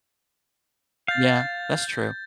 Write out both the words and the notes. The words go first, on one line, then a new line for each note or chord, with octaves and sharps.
Yeah, that's true
F5 G6 A6